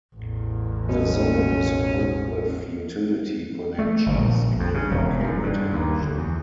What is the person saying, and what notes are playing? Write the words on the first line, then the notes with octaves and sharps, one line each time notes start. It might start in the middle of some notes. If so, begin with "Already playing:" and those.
The zone is equipped with utility connections, including cable television.
A1 E2
B2 C#4
A3
G1
A#1
F2
C#3
E1
F#2
G2
D#2
D2
E2